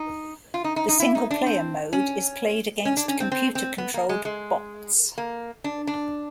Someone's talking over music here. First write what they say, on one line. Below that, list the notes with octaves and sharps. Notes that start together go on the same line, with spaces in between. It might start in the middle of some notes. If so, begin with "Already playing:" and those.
The single-player mode is played against computer-controlled bots.
Already playing: D#4
F4
D#4
D#4
D#4
E4
D#4
D4
C4
C#4
C#4
D4
C#4
C4
C4
C4
B3
A#3
G#3
G#3
A#3
D4
D4